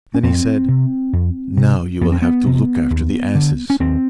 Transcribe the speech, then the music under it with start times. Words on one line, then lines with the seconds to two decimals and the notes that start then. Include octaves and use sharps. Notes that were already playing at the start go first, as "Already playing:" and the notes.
Then he said, 'Now you will have to look after the asses.'
0.14 C#4
0.23 F2 C4
0.68 C3
1.13 F2
1.57 C3
2.01 F2 B3
2.12 C4
2.22 B3
2.46 C3
2.90 D#2
3.35 D3
3.70 C#4
3.80 D#2 C4